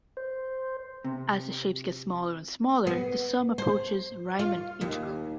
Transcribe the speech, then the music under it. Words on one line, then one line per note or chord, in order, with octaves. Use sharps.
As the shapes get smaller and smaller, the sum approaches the Riemann integral.
C5
C3
B3
C5
F4
D#2